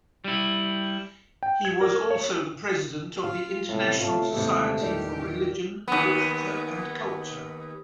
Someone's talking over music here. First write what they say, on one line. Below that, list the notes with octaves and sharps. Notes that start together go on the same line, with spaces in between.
He was also the President of the International Society for Religion, Literature and Culture.
G3 E4
G5
G#6
A#4
C#5
F4 F5
A2 C3 B3
A3 F4 C#5 A5
D#2 C3 E3 G#3
E2 A#2 D#3 G3 G4
D#2 B3